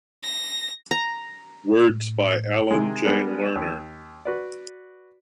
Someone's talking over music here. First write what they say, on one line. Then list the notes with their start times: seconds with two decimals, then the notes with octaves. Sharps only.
Words by Alan Jay Lerner.
0.23 A#6
0.91 A#5
1.89 A2
2.71 C3 D#3 G#3
3.04 G3 G#3 B3 D4 A#4
3.56 D#2
4.25 F#4 B4 D5